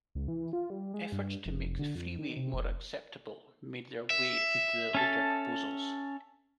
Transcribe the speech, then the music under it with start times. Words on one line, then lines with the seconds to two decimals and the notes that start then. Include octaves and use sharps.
Efforts to make the freeway more acceptable made their way into the later proposals.
0.15 C#2
0.28 E3
0.53 F4
0.70 G3
0.94 G#3
1.12 G2
1.46 F1
1.79 D3
1.95 F2
2.19 D#3
2.37 C3
2.54 F1
4.10 E5
4.95 C#4 A4 A5